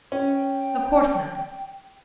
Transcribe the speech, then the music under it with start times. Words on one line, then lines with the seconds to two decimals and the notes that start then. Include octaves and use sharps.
Of course not!
0.12 C#4 G5